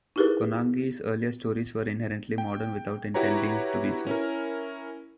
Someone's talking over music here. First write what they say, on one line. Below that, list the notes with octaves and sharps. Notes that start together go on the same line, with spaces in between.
Konangi's earlier stories were inherently modern without intending to be so.
D#4 E4 G4 G#4 A#4 B4
G5
E4 F#4 G4 B4 C#5 A#5
C#4 E4 A#4